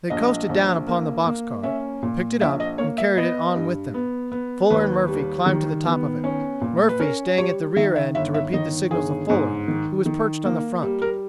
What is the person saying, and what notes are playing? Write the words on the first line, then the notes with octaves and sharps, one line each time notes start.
They coasted down upon the box-car, picked it up and carried it on with them. Fuller and Murphy climbed to the top of it; Murphy, staying at the rear end to repeat the signals of Fuller, who was perched on the front.
A#1 D#5
A#1
A#3
A#3
C#4 E5
A#2
A#1 E5
D#5
A#3 C#5
E5
B3 D#5
G2
B3
B3
D#2 B4
G3
D#3
B3
C#4
A#2
B4
C#4 A#4
G3 C#5
D#3 E5
E5
G1 E5
E5
D#3 D#5
G1 G#4
G#2
D#3
D#3
A#3
G3
A#4